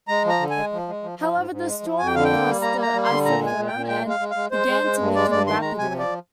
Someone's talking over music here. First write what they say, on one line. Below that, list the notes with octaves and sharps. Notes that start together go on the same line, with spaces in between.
However, the storm crossed the isotherm and began to weaken rapidly.
G#3 A#5
F3 A#5
D3
G#5
G#3
F3
G#3
F3
F3
G#2
G#2
G#3
F3
F2 G#5
G5
D3 F5
G5
A#3
G3
A#3 A#5
A#3
A#5
G3
D3 C6
A#2 A#5
G#3
G#5
A#2
G5
A#2
G#3 G5
G#3
F5
G#3
G#3 F5
G#3 C5
G#3
G#3
G2
G#3 D5
G2 D5
D#3 C6
G#3 A#5
C3 G#5
F3
D5